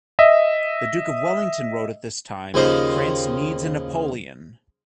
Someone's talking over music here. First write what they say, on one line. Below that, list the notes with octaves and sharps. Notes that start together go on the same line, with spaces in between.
The Duke of Wellington wrote at this time, France needs a Napoleon!
D#5 E5
D#2 C#3 F3 C5 D#5 F5